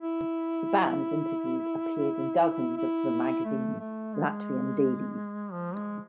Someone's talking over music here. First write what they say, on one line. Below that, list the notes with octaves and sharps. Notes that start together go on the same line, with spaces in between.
The bands interviews appeared in dozens of the magazines, Latvian dailies.
E4
E4
A3
A3
G#3
F3
G#3